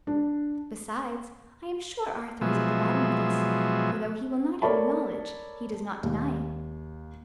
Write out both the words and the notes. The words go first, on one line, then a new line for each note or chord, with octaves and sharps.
Besides, I am sure Arthur is at the bottom of this, for though he will not acknowledge, he does not deny it.
D4
B2 F3 F#3 G#3 E5
A4 A#4 C#5 D5 A5 B5
D#2